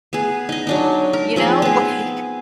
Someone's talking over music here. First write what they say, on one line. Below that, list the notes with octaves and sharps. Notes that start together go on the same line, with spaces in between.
You know, like
B3 G#4
D#4 D#5
F#3 D4 D#4
A#4
F3 C4 G#4
B3 G#4